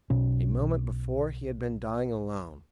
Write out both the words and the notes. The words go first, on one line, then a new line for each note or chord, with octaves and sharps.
A moment before he had been dying alone.
B1 B2 C#4